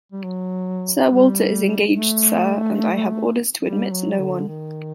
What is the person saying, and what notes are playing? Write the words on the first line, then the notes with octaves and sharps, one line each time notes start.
Sir Walter is engaged, sir, and I have orders to admit no one.
G3
F#3
G3
A3
G3
F#3
D3
D#3